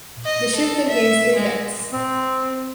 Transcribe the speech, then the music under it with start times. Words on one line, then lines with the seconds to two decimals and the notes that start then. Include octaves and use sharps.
The ship contains three decks.
0.25 D#5
0.55 A4
0.88 E5
1.36 G#3
1.93 C4